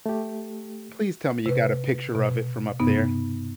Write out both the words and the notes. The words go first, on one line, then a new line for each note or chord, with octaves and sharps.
Please tell me you got a picture of it from up there.
A3 G4
C3 B4
B2
G2 C3 B3 D#4